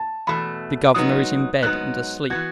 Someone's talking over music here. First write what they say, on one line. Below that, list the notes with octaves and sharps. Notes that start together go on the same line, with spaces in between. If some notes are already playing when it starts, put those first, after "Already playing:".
"The governor is in bed, and asleep."
Already playing: A5
E2 B2 A3 B5
G#2 F#3 B3 D#4 D#6
G#2 F#3 B3 D#4 F#6
E3 B3 F#4 G#6